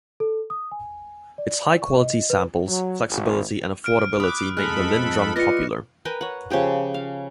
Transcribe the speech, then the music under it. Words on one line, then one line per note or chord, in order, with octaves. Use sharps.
Its high-quality samples, flexibility and affordability made the LinnDrum popular.
A4
D#6
G#5
D5
C#6
D#5
B4
F#3
G#1
F6 D7
B5 D6 D#6 F#6
F2 G#3 A4 D#5 A#5 B5 F6 F#6
F4 B4 D5 D#5 A#6 C#7
A#4 B4 G5 G#5
C#5 F#5
C#3 F3 G4 G#4
F5